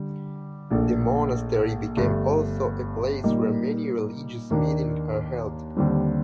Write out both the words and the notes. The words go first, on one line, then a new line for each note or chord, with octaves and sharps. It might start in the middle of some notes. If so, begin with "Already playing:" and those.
The monastery became also a place where many religious meeting are held.
Already playing: D3 G3
A#1 A#2 A3 D4 A4
G1 G2 D3 A3
A#2 G3 A#3 D#4
D#2 D#3 A#3 D4
D#2 D3 G3 C4